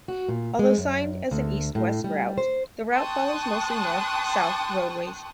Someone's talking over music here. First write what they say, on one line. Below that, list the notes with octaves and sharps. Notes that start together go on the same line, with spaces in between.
Although signed as an east-west route, the route follows mostly north-south roadways.
F#4
A#2
G#3
F#2
D2
A2
G3
C5
G5 A5 C6 C#6 D#6 F#6